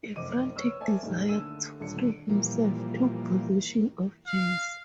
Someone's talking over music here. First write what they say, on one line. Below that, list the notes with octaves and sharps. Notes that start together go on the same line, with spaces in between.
A frantic desire to free himself took possession of James.
F1 F#2 C5 D#5 D6 D#7
B4 C#5 C#6 E6 F6
A#4 C5 D5 E5 G#5 A5
F2 A#2 D#3 G3 A3 D#4
D3 A3 A4 E6 D#7
D#1 D3 A4 C#7
A#2 E3 F3 G3 A#3
F5